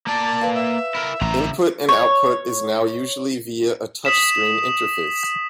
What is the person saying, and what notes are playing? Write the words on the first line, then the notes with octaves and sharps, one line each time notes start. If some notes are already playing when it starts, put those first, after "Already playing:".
Input and output is now usually via a touch-screen interface.
A#3 D5 A5
B4 F5
E5
E4 A#4
A1 C#3 A#5
C#5
D#6 B6 E7